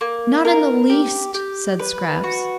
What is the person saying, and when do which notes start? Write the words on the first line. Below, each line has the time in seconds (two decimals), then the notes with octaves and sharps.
"Not in the least," said Scraps.
0.01 A#3
0.45 A#4
0.90 G4
1.34 G4
1.79 B4
2.24 F#4